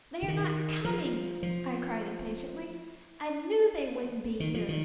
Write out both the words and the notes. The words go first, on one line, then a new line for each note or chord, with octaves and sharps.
"They are not coming!" I cried impatiently, "I knew they wouldn't be here!"
D3
D#3
F3
F3
D#3
F3
D#3